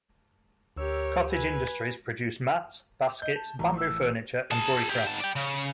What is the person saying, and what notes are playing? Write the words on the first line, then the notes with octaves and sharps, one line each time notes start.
Cottage industries produce mats, baskets, bamboo furniture, and buricraft.
D2 G4 A#4 C#5 E6
B4 G#5
D#5 G6
A5
A1 A#5
E6
G#4 A5
G4 G#4
G#2 A5
D5 G5
C#3